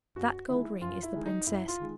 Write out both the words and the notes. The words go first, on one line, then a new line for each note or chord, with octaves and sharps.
That gold ring is the princess.
F#2 F#4
D#3 G#3 E4
F#2 F4
E4
D#3 G#3
D#4
F#2 E4
F4
D#3 G#3